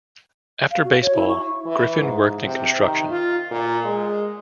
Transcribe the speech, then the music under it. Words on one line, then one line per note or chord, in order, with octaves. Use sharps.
After baseball, Griffin worked in construction.
F5
F#4
C#5
E4
C#6
E3
G#2
C3
D#3
F4
A#2
G#3